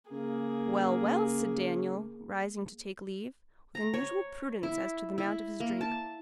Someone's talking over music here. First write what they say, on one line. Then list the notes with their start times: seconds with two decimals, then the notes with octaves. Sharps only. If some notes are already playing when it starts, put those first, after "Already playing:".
'Well, well!' said Daniel, rising to take leave, with unusual prudence as to the amount of his drink.
0.11 C#3 A#3 G#4
3.75 A#5
3.94 C#5
4.63 E4
5.18 E4
5.60 A#3
5.81 A5